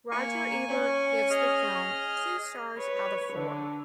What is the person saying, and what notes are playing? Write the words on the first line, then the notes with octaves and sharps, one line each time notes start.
Roger Ebert gives the film two stars out of four.
A#3 G#5 C#6
C#4
G#4 D#5 F6
B4 C#5
D3